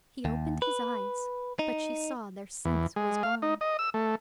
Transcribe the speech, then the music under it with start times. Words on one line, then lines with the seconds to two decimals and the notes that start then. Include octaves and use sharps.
He opened his eyes, but she saw their sense was gone.
0.25 D#2
0.62 B4
1.59 D#4
2.65 E2
2.96 G#3
3.23 F5
3.42 D#4
3.61 D#5
3.79 E6
3.94 A3